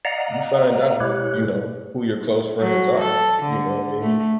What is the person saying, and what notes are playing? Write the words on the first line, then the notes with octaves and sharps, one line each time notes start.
you find out, you know, who your close friends are," you know what I mean?
D5 D#5 F5 F#5 A#5
B2 G#3 E4 G4 C#5 F#6
F#3
A4
D3
A3